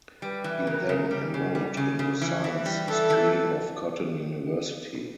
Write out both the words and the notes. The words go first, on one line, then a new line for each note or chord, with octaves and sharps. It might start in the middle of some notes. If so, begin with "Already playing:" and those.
He then enrolled in the science stream of Cotton University.
G3 B4
E3
C#3 A#4
C#3
G3
C#3
G3
C#3
C#3
E3
E3
G3
E3 A4
E3